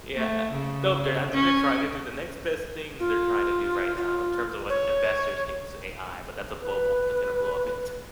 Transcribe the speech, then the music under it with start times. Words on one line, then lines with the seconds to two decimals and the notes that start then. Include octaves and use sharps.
Yeah, uh no, there that's what they're trying to do the next best thing they're trying to do right now, in terms of what investors think, is AI, but that's a bubble that's gonna blow up anytime
0.15 A3
0.53 C#3
1.31 C#4
3.00 F4
3.97 F4
4.69 C#5
6.61 B4